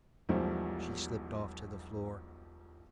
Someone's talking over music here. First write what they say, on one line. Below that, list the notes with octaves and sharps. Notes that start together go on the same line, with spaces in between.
She slipped off to the floor.
E1 B1 E2 F3 G3 A3